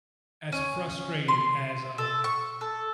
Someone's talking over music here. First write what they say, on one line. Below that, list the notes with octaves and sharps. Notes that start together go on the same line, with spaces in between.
as frustrated as, um
C#4
C6
A4
C#6
A4